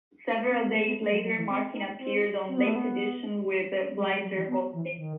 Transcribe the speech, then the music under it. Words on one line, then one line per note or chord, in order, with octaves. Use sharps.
Several days later Martin appeared on "Late Edition," with Blitzer hosting.
C4
B3
A3
B3
A3
F#3
F#3
E3
C4
D#4
C4
C4
B3
A3
B3
G3
G3
F#3
E3
B3
E3
D#3